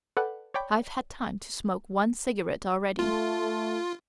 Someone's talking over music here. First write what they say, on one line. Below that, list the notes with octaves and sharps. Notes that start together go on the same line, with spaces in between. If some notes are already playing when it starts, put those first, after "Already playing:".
I've had time to smoke one cigarette already.
A4 B4 D5 F#5 G5
C#5 D5 G5 B5
A3 F4